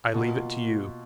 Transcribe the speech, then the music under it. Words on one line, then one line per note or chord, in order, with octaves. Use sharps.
I leave it to you.
B2 A#3 F4